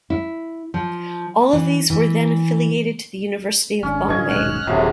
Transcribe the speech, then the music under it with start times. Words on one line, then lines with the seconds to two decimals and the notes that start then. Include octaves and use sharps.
All of these were then affiliated to the University of Bombay.
0.10 E4
0.74 F3
1.53 E3
1.90 E3
3.83 G#1 C#4 D4
4.08 A2 D3 F3 D#5 C#6 G#6
4.29 D#1 B1 G#2 F#5 F6 F#6
4.67 D#1 A#1 A2 C3 F#3 G#4